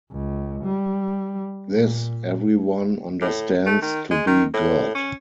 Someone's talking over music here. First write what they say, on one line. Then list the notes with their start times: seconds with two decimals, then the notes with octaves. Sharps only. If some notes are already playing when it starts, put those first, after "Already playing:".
This everyone understands to be God.
0.12 C#2
0.64 G3
1.74 A#2
3.21 A2
3.66 A3
3.82 D#3
4.11 G#3
4.27 D#3
4.54 A2
4.95 C#4